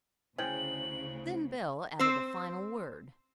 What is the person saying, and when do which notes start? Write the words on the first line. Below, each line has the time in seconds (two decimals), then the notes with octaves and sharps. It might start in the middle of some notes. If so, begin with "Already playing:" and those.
Then Belle added a final word.
0.38 D2 C#3 C#4 E4 G#4 C5 G5 F#7
1.99 C4 C5